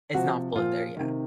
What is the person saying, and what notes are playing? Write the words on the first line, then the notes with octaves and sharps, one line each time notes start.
It's not fully there yet.
C3 F3 F#4
A#2 F3 F4
C3 D#3